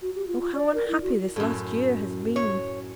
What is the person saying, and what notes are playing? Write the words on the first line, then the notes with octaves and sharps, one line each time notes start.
Oh, how unhappy this last year has been!
F#4
G4
F4
F4
D5
A#4
E4
F#4
F#2 A2
C#5